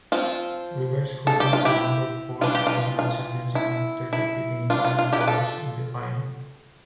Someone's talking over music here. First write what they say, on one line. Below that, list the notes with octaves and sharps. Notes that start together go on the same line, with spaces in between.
Rivers Hoopers won their fourth national championship after defeating Gombe Bulls in the final.
F3 C4 F4
A4
G4
F4
E4 G4
E3 G3 D4 F4
G4
F4
F4
E4
E4
G3 D4 F4
F4
F4
E4 G4
B4
F4 A4